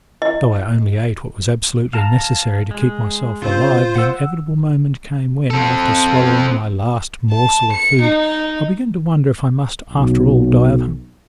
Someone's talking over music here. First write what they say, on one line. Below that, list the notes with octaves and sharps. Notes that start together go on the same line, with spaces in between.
Though I only ate what was absolutely necessary to keep myself alive, the inevitable moment came when, after swallowing my last morsel of food, I began to wonder if I must after all die of hunger.
E4 D#5
F5 A5 A#5
G#3
C#3 C4 F4 C5 C6
F#5 E6
C4 A4
A5
C#7
D#4
B1